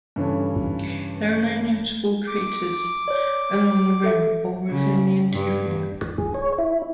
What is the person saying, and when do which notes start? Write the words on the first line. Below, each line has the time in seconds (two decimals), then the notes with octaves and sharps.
There are no notable craters along the rim or within the interior.
0.16 G2 C#3 E3 A4 C#5
2.27 D6
3.08 C#5 D5
4.04 A4 E5
4.69 C#3
5.33 G2
6.18 G#4
6.34 C#5
6.58 E4